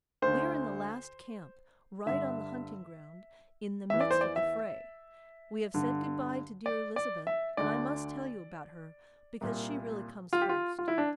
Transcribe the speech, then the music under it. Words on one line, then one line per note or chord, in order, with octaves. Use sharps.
We are in the last camp, right on the hunting ground, in the "midst of the fray." We have said good-bye to dear Elizabeth, and I must tell you about her because she really comes first.
D2 D3 C5
G2 D3 E5
E2 E3 E5
D5
C5
D5
E5
G2 D3
D5
D5
E5
D2 D3 D5
C2 A#2
F4
G4
F4
F4
E4
D4